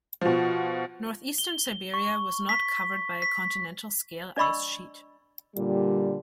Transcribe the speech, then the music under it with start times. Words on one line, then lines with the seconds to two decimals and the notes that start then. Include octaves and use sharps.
Northeastern Siberia was not covered by a continental-scale ice sheet.
0.21 B2 F3
1.38 G7
1.94 C#6
2.49 B6
3.22 B6
4.37 D4 D5 D#5 B5 C#6 E6
5.56 A#2 D3 G3